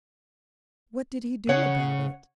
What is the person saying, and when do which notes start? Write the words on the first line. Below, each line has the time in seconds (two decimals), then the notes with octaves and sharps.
What did He do about it?
1.49 C#3 C#5 F#5